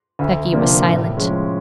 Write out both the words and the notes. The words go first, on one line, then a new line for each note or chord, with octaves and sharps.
Becky was silent.
D2
C3 F3 A#3 D4
A2
F3 G#3 C#4